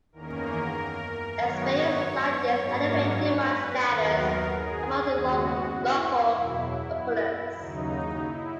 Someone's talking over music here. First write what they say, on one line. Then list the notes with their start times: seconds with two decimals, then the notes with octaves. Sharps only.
Experience like this elevated Wang's status among the local populace.
0.12 E2 D#3 A#3 C#4 A#4
1.35 G#2 D#3 F#3 B3 C#5
2.60 G#2 F#3 A#3 C#4
3.22 B4
3.83 D#2 D#3 F#3 B3 A#4
4.46 G#4
5.06 D#2 C#3 G#3 B3 F#4
5.69 E4
6.31 E2 B2 F#3
7.55 D#2 C#3 F#3 D#4
8.16 E4